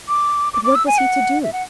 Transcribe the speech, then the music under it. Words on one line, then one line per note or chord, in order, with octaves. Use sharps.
But what was he to do?
D6
D6
D6
E6
G#5
F#5
E5
F#5